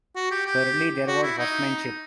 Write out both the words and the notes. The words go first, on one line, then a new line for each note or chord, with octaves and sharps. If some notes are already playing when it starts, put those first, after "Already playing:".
Thirdly there was horsemanship.
F#4
G4
G4
F#4
E4
D#4